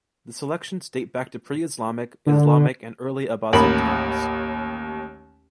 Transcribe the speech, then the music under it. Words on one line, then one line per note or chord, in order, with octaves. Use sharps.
The selections date back to pre-Islamic, Islamic and early 'Abbasid times.
D3
A1 D#2 A#4 B5 F#7